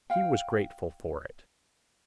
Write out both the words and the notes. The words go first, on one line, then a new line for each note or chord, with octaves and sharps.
He was grateful for it.
F5 G5